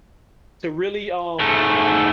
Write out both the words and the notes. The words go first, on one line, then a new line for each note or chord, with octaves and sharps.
to really, um,
G#2 A3